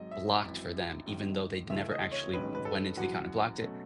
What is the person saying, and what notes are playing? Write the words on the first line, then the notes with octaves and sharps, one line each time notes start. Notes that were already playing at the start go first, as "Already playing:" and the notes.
blocked for them, even though they'd never actually went into the account and blocked it.
Already playing: G#1 G#2 F#3 D#5
E5
G#1 F#2 E3
G#1 G#2 D#3 F#3
C#2 C#3 E3 A3 E5
D#5
C#5
A1 G#2 D#3 F#3 C#4 B4
B4
A4
F#1 F#2 E3 F#4
B2 F#3 A3 C#4